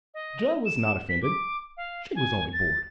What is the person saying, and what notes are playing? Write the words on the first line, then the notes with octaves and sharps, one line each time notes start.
Joe was not offended; she was only bored.
D#5
E7
B6
D6
F5
G#5
A6